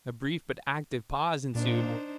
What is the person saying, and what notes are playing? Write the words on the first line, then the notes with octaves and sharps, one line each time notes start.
A brief but active pause ensued.
A#2 D4 D#4 C5